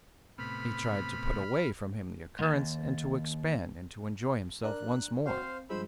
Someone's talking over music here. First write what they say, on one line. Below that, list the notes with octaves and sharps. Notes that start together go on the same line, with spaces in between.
He tried to put away from him the occurrence, and to expand, and to enjoy himself once more.
A2 C3 B3 B5 F6
D#2 G#2
D4 A#4 D5 F#6
C4 F#4 C5 F5
C4
G2 F3 G#3 C5 B5 E6